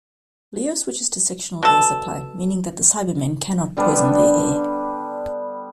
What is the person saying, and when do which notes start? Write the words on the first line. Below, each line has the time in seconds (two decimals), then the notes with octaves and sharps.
Leo switches to sectional air supply, meaning that the Cybermen cannot poison their air.
1.63 B2 A4
3.77 D3 G3 B3 D4